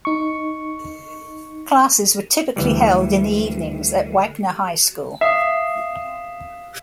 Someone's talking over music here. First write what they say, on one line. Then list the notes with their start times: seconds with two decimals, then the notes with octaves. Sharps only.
Classes were typically held in the evenings at Wagner High School.
0.05 D#4 C#6
2.56 D2 E3 G3
5.21 E5 F5 D#6 C7